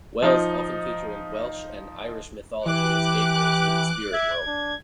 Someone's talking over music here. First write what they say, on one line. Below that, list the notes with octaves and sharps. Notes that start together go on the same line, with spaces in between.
Wells often feature in Welsh and Irish mythology as gateways to the spirit world.
F3 D#4
E3 G4 D6 F#6
E5 G#6
D4